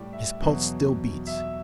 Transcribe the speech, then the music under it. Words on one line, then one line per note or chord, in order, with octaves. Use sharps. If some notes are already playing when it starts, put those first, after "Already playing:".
His pulse still beats.
Already playing: A2 G3 D5
E5
E2 B2 F#3
E5